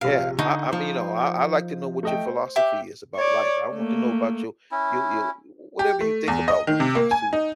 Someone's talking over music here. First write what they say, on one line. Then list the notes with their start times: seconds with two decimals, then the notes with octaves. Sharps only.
Yeah, I I mean, y'know, I I like to know what your philosophy is about life, I want to know about you you you, w whatever you think about when it comes to
0.01 A#1 C3 F5
0.39 D3 D#4 C#6
0.73 F3
2.03 A3 D#5 G5
2.25 C5
2.56 G4 E5 D6
3.16 C#5 D5
3.73 A3 A#3
4.71 C#4 E4
5.79 G4
6.01 A3
6.28 E2
6.48 D#5
6.67 D#3
6.80 C3
6.95 A#3
7.11 G#5
7.33 D#4